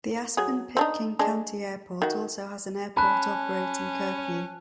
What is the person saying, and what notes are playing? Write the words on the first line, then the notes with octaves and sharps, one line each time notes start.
The Aspen - Pitkin County Airport also has an airport operating curfew.
F#3 G#4
C4 D4 D#4
G#3 D4
D#3 F#4
C#4 G#5 A5 B5 F#6